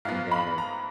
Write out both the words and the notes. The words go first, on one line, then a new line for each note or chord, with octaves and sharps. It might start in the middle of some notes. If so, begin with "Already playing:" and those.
And then,
G#2 F3 B3 F5
B5
A#5